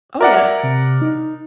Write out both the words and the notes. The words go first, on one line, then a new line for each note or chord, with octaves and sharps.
Oh, yeah,
A#4 D5 E5 F#5
C3
D#4